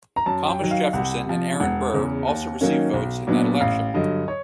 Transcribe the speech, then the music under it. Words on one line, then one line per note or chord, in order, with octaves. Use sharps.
Thomas Jefferson and Aaron Burr also received votes in that election.
A#5
F#2 A5
G5
D#3 F#3
F5
C2 F#5
C3 F3
E1 F#5
E2 C#3
D#2
D#3 F#3 A#3 C#4
B1
A#2 F#3 B3 D4
A1 F5
G2 D3 F#3 D#5
C#5